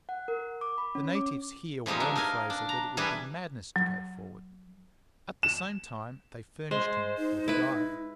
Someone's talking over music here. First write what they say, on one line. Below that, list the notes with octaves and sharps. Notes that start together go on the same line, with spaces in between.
The natives here warned Fraser that it would be madness to go forward. At the same time they furnished him with a guide.
F#5
A#4
D6
B5
C#4
D6
E3 F3 G3 G#3 D#4
D4 E5
D#4 A#4 F5 G#5
D4
A#5
E3 G3 D4 G#4 B4
F#3
E7
G#3 C5
D#4
E4 B4